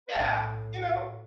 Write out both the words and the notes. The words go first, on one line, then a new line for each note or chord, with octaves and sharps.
Yeah, you know?
B1 A2